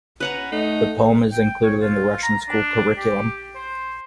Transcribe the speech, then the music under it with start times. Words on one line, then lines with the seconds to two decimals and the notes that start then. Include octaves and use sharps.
The poem is included in the Russian school curriculum.
0.20 C#4 B4 F#5 A#5
0.52 A3 D#4
1.32 G5
1.63 C#5
1.81 F4
2.23 A#5
2.49 D4
2.97 G4
3.55 C5